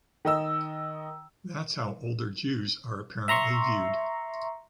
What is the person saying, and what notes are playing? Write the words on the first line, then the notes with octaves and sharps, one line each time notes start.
That’s how older Jews are apparently viewed.
D#3 D#5 E6
E5 A#5 C6 C#6